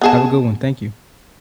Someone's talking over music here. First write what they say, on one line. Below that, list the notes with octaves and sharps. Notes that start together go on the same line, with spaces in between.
have a good one, thank you.
B3 G#4 A5